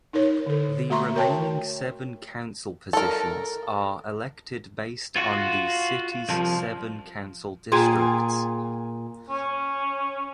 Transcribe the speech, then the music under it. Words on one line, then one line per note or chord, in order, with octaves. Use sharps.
The remaining seven council positions are elected based on the city's seven council districts.
D#4 E4 A#4 C#5
D3 A4
A3 F#4 E5 A#5 C6 C#6
A#4 C#5 G5 A5
A4 A#4
F4 F#4
C2 F3
A#2 F4 G#4 G5 G#5
C#4